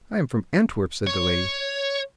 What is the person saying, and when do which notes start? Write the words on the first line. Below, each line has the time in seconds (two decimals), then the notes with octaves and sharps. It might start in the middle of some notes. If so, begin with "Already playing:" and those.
"I am from Antwerp," said the lady.
1.07 C#5